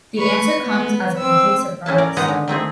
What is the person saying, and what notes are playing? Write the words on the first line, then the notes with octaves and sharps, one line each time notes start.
The answer comes as a complete surprise.
B4 C#6
B3
C4 E6
A2 C#4 E4 A5
A#4 D5
D#3 G#3 B3 D#4 B4 A#5
D3
D#3 A3 C4 G#4